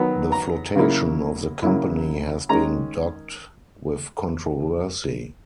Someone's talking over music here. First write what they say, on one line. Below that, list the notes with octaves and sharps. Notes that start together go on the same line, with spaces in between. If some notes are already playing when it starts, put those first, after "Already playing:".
The flotation of the company has been dogged with controversy.
Already playing: D#3 F#3 B3
A#5
C#3 F#3 A#3 E4
C#3 F#3 A#3 E4
D#3 G#3 C#4 A#5